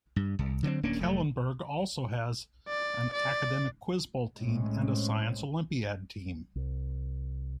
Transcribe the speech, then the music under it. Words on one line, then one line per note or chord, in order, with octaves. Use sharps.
Kellenberg also has an Academic Quiz Bowl team and a Science Olympiad team.
G2
C2
D3 F#3 A#3 C4
D1 A#3 C#4 D4
F1 F#3 A3
D5
D5
A2 G#3 C4 C#4
C2